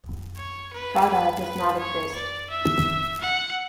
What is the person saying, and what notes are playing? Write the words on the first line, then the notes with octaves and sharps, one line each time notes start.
Chada does not exist.
C#5
B4
B4
B4
C#5
D5
E5
F#5